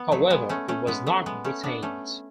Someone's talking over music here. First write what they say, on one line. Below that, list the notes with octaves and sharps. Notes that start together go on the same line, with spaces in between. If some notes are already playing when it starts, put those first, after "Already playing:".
However, he was not retained.
Already playing: B3
F#3 A3
G#3 B3
A3 C#4
A3 C#4
G#3 B3
F#3 A3
G#3 B3
A3 C#4
B3 D4
A3 C#4